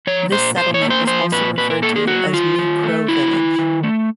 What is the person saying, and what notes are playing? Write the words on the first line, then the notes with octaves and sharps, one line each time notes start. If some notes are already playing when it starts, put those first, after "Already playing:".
This settlement was also referred to as New Crow Village.
F3 C#5
A#2 C5
A#2 C5
C#5
A#3
C5
F3 C5
A#2 B4
A#2 B4
A#4
A#3 A4
G#4
F#3 F#4
D#3 F4
D#3
A3
F#3 E4
D#3
D#3
A3